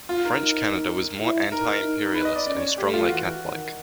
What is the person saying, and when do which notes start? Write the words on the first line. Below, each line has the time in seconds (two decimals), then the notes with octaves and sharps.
French Canada was more anti-imperialist and strongly Catholic.
0.09 F4
0.25 D#4 A#4
1.20 E4
1.51 D#4 A#4
1.82 D#4
2.15 B4
2.25 D#5
2.35 D5
2.46 C#4 D5
2.57 C#5
2.78 A3 G4
2.93 F4
3.09 E3 F#4
3.41 D#3